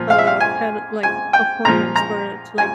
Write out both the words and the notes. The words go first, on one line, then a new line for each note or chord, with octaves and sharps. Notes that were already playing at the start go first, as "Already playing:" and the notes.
uh, pet, like, appointments for it to, like
Already playing: A#2 F3
F5
E5
F5
G#5
G#5
G5
A#2 F3 A#5
A#5
G#5